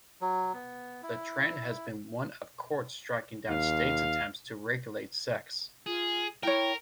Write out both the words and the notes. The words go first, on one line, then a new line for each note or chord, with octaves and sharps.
The trend has been one of courts striking down states' attempts to regulate sex.
F#3
B3
E4
D#2 F5
F4 G#4
E4 A#4 C#5 G5